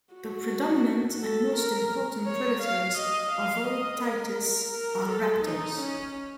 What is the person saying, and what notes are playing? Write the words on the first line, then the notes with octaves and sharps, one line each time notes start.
The predominant and most important predators of all titis are raptors.
F#4
A4
A#4
C#5
F5
D#5
F5
D#5
A#4
A#4
A4
D#4
C#4